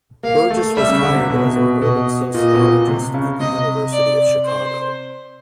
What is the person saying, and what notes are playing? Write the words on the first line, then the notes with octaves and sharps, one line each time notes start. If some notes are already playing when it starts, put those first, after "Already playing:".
Burgess was hired as an urban sociologist at the University of Chicago.
A#3 F5
A3
G3 E5
C#3
D3
C3
B2
B2
B2 D#5
A#2 D#5
B2
A#2
C3
C#3
C3 D#5
D5
C5